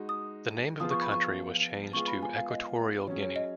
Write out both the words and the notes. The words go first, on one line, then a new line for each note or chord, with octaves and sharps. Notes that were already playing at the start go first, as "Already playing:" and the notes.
The name of the country was changed to Equatorial Guinea.
Already playing: G#3 D#4 F#4
D#6
F3 B3 F4 G#4 D#6
C#6
B5
C#6
G#3 B3 F4 G#4 C#6
B5
G#5
F5
D#5
F#3 C#4 G#4 C#5
C#5
D#5